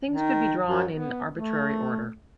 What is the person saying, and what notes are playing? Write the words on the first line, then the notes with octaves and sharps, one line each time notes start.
Things could be drawn in arbitrary order.
D#3
F#2
B3
A3